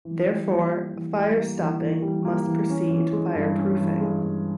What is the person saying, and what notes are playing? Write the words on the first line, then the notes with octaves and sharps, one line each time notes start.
Therefore, firestopping must precede fireproofing.
E3
G3
A#3
E3
E3
G3
A#3
E3
E3
G3
A#3
E3
C#4
E3
G#3
G2
C#4
E3
G#3
G2